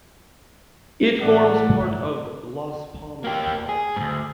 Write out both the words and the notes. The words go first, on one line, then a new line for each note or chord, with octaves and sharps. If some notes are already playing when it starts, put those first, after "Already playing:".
It forms part of Las Palmas Province.
A2 E3 A3 D5 F#5
A#3 G4
G#4
D2 G#2